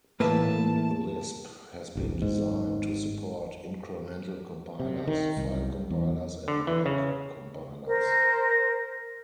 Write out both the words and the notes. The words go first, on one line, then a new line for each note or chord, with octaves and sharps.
Common Lisp has been designed to support incremental compilers, file compilers and block compilers.
A2 E3 A#3 B4 E5 A5
G1 C2 F2
G#1 G#2
C3
D#3
C2
E2
D3
E3
C#3
A#4 C5